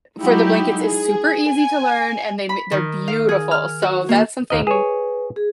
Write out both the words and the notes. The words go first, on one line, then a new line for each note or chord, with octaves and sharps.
for the blankets is super easy to learn and they ma they're beautiful, so that's something
F#3 G#3 D#4 E4 F#4 G4
G#4
G#5
B5
D#3
F5
G#4
F6
F#4
A#3
D#2 A#4 D#5
G#4 B4 C#5
G#4